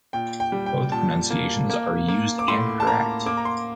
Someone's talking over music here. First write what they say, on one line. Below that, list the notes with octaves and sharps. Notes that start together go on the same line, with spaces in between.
Both pronunciations are used and correct.
A#2 G5
G5
G3
G5
A#2 A5
A#3
A#3
A#3
D6
A2 C6
A5
A#3 A#5
A#3 D6
A#5
C6